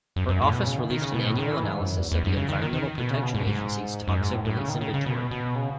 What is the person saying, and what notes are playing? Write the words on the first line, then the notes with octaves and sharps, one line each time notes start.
Her office released an annual analysis of the Environmental Protection Agency's Toxic Release Inventory.
F#2
F#2
A2
B2
C#3
D#3
D#3
C#3
B2
A2
D#3
E3
G#2
F#2
E2
E2
F#2
C#3
D#3
D#3
D#3
B2
C#3
B2
G#2
G#2
F#2
G#2
A2
A2
C#3
D#3
C#3
C#3
B2
B2
C#3